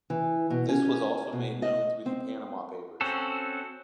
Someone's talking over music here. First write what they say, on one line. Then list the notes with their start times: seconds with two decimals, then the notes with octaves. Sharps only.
This was also made known through the Panama Papers.
0.10 E3
0.50 B2
0.69 C#4
1.33 B2
1.62 D#5
2.06 C4
3.01 C4 C#4 F#4 A4